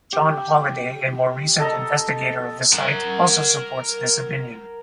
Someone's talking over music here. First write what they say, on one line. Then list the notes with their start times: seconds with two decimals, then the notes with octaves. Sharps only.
John Holladay, a more recent investigator of the site, also supports this opinion.
0.13 G4
1.59 A4 D#5 A#5
2.73 A#4 F#5